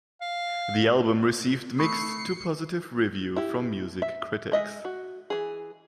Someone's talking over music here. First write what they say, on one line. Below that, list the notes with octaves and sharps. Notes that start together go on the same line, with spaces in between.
The album received mixed to positive review from music critics.
F5
A3 B5 C#6 D#6 C7 C#7
E4 G4
E5
G#3 D#5 E5
F#4
E3 G#4